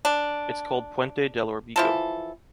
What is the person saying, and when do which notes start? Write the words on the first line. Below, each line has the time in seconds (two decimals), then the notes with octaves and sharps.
It's called Puente del Órbigo.
0.05 D4
1.76 E3 F3 A4